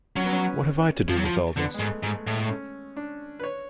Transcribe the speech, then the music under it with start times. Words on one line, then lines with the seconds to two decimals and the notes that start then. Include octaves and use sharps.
What have I to do with all this?
0.16 F#3 C#4
0.24 B3
0.33 C#4
1.09 F3
1.17 F#3
1.25 F3
1.57 D3 B3
1.74 G#3
1.79 G#2 A3
2.03 G#2 A3
2.15 A3
2.27 A2 G#3
2.39 A3
2.50 C#4
2.97 D4
3.40 B4
3.44 C#5